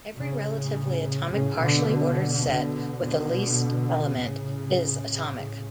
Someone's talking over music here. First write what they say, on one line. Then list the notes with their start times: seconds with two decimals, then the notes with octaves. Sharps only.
Every relatively atomic partially ordered set with a least element is atomic.
0.16 A2 C#3
1.30 A2 C#3
1.60 B2 D3
2.46 B2 D3
3.04 B2 D3
4.18 A2 C#3
5.33 A2 C#3